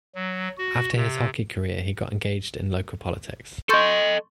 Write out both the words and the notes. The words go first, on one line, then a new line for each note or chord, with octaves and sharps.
After his hockey career he got engaged in local politics.
F#3
F#4
C3
A4 D#5 C6 C#6 G6